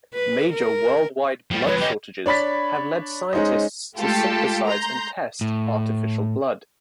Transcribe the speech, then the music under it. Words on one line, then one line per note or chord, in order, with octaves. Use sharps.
Major worldwide blood shortages have led scientists to synthesize and test artificial blood.
B4
A#4
F3 G3
F2 G#3 B4 C#5
C#4 G4 D#5
D4 C#5 B5 A6 B6
G#3 C#4 D#4 C5 D#5
G#3 A3 F4 G4 A4
A#5 C6 G6
A2